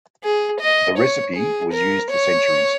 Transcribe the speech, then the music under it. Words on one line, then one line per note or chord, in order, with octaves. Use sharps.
The recipe was used for centuries.
G#4
D#5
C#5
G#4
A#4
C#5